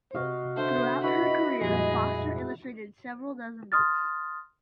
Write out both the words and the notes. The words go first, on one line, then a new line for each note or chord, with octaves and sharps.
Throughout her career Foster illustrated several dozen books.
C3 F#4 D#5 F5
D3 C5 E5 F#5
E4 F#4 B4 D#5 B5
F2 A#2 G3 G#3 G#4
C6 D#6 F6 A6